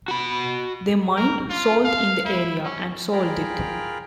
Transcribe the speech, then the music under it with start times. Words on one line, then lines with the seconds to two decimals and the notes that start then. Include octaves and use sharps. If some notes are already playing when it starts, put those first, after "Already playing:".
They mined salt in the area and sold it.
0.08 F#4 B5
1.17 A#4
1.50 F4
1.84 F5
2.25 E4
2.64 C#4
3.12 F4 G#4 A#4 G5 B5 F6